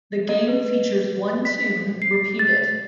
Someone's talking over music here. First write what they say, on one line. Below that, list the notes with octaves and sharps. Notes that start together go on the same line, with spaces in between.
The game features one tune repeated.
D#5
B4
B6
C7
A6